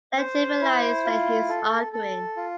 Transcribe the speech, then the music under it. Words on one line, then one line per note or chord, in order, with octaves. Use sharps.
Let him realize that he is arguing.
C5
E4
F4
A4
A4
F4